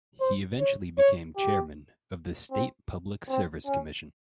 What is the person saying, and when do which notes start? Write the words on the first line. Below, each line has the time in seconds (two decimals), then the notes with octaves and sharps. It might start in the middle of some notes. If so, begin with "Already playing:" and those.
He eventually became Chairman of the State Public Service Commission.
0.20 C5
0.59 C#5
0.98 C#5
1.36 G4
2.52 C4
3.28 C4
3.66 C#4